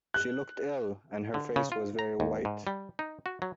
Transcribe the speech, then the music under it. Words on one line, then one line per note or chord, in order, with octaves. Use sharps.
She looked ill, and her face was very white.
F#6
D3
C#3
F4
A#5
D#2
G#2
G3
D#4
F#4
F#3